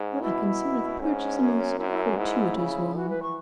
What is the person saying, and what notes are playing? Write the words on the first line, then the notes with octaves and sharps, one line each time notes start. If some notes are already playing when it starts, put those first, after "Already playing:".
I consider the purchase a most fortuitous one.
Already playing: G#2
C#4
B2 E4
G#2 C#4
F#2
F#2 E4
C#4
E4
C#4
G#2 E4
C#3
E3 F#4
B4
C#6